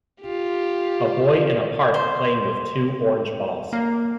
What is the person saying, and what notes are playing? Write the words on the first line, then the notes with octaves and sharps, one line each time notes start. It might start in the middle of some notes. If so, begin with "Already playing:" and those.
A boy in a park playing with two orange balls.
F4 G4
C5
A#3